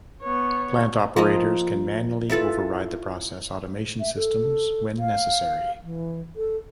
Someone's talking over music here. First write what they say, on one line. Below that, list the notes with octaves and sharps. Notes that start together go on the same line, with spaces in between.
Plant operators can manually override the process automation systems when necessary.
B3 C#5
F3 A#3 D#5
E4 F4 A4 B4
E5
A4
F5
E3
A4